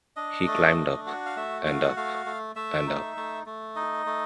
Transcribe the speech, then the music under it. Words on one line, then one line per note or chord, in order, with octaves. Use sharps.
He climbed up, and up, and up.
D4 D#5
A3
D4
F#4
F5
A3 E5
F#4 F5
F#5
A3 F5
A3
A3 E5
D#4
A3
A3
D#4 D#5
A3